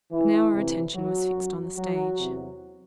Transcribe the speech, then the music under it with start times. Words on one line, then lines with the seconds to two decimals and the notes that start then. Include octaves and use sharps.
But now our attention was fixed on the stage.
0.11 E3 E4
0.53 D2 C3 E3
0.94 F#3 F#4
1.36 F#2 F#3
1.77 F#3 F#4
2.18 E2 C3 F#3